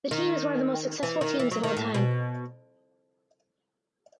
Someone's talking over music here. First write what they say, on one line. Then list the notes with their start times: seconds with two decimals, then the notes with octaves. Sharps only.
The team is one of the most successful teams of all time.
0.11 D#3
1.03 E3
1.21 D#3
1.39 E3
1.51 F#3
1.64 D#3
1.77 A2
1.94 B2